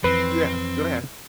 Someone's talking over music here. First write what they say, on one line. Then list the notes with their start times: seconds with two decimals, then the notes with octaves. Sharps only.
Yeah, go ahead.
0.04 F2 E3 C4 B4